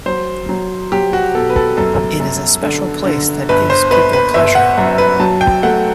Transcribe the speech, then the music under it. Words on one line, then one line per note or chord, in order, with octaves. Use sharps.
It is a special place that gives people pleasure.
F#3 C5
F#3
F#3 G4
F#4
B2 A4
B4
A4
F#2 A4
F#2
D3
D3
G1 B4
C5
G1 B4
B4
G1 E5
F#5
F#2
B4
F#3 A5
G5
A3 F#5